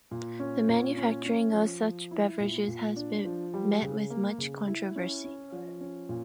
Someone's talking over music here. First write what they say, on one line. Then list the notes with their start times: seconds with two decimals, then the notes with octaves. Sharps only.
The manufacturing of such beverages has been met with much controversy.
0.11 A#2
0.40 C#4
0.68 A#2
0.97 C#4
1.26 C#4
1.53 F3
1.82 F3
2.11 E4
2.40 A#2
2.68 A#2
2.96 D4
3.25 F3
3.54 G3
3.82 C#3
4.10 A#3
4.38 C#3
4.67 E4
4.96 C#4
5.24 C#4
5.52 F3
5.81 C#4
6.09 A#2